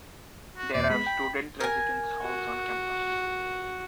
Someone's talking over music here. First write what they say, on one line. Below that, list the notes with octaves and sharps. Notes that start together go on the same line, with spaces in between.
There are student residence halls on campus.
F#4
D#2 A#2 D5 C7
G#3 B3 B5
G5
A#4 G#5
F#4